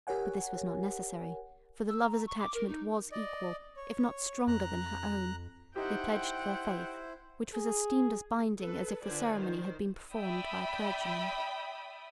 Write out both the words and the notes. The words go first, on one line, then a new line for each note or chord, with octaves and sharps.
But this was not necessary, for the lover's attachment was equal, if not stronger than her own; they pledged their faith, which was esteemed as binding as if the ceremony had been performed by a clergyman.
G4 A#4 C#5 F#5 G#5
E6
A#5
C#6
D6
A#4
D#4
D5 D#5
C#5
F2 A#5 F#6
D#4 E4 G4 C5 F#5 G5
G#4
A4 B4
D3 F4 B4 C5 D5 G#5
D#3 C5
D5 E5 G5 B5 D#6